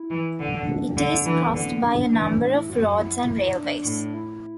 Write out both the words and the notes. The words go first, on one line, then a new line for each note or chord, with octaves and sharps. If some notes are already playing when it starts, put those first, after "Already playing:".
It is crossed by a number of roads and railways.
Already playing: E4
E3
D3
D4
D3
E3 D4
B3
D3
B3
D4
E3
A2 D4
E4
F#2 F#4
F#4
E4
D4
A2
E4